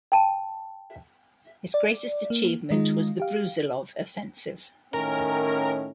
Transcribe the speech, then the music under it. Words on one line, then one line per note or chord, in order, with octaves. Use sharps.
His greatest achievement was the Brusilov offensive.
G5 A5
D5
A#3
D#3 G#3 D#4 F4
G4 F5
A2 D#3 C#4 A#4